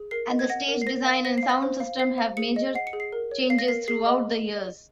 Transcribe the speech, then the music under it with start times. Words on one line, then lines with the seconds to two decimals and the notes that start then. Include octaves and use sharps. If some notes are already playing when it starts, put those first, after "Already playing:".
And the stage design and sound system have major changes throughout the years.
Already playing: G#4
0.11 A#4 C7
0.30 D#5
0.39 G#6
0.50 F#5 A#6
0.68 A#4
0.82 C7
0.87 C5 A#6
1.05 F5
1.25 C5 A#6
1.38 C7
1.43 F5
1.49 A#6
1.63 C5
1.80 F5
1.99 C5 C7
2.18 F5
2.37 G#4 C#7
2.56 D#5
2.75 F#5 C7
2.87 C#7
2.93 G#4
3.00 C7
3.12 A#4
3.31 C#5
3.50 F5 C7
3.59 A#6
3.68 A#4 C7
3.88 G#4 C7
4.06 D#5